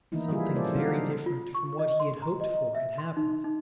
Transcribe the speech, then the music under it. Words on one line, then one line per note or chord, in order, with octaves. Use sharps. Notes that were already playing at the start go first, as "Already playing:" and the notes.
Something very different from what he had hoped for had happened.
D#3 E3 A#3 B3 D#4 E4
F3 G3 E4 F4 G#4
A#3 C#4 F4 A4 C5 D5
D3 F#3 D4 D#4 F#4 F5
D4
F4
C#6
D#5
C6
A#5
D#5
E5
C6
D#4
D#4